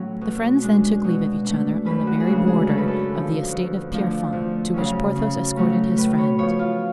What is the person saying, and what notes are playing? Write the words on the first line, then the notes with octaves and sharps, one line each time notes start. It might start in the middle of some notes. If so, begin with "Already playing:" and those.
The friends then took leave of each other on the very border of the estate of Pierrefonds, to which Porthos escorted his friend.
Already playing: A2 F#3 C#4 C#5
B2
G#3 D4
B2
A3 D4
F#2 B4
F#4
G#4
C#3 G#3 D4 F#4
G#4
F#2 A4
B4
A4
D3
F3
D2
D3 F3 A3 D4
F2
C#3 F#3 C#4
C#3
F#3 A3 C#4
A2 B4
C#5
F3 B3 C#5
F4